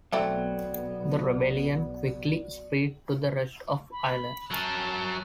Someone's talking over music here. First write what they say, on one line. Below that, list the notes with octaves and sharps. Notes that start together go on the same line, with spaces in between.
The rebellion quickly spread to the rest of Ireland.
B1 E3 F#3 A3 B3 C4 D5
B5
F#3 A#4 A5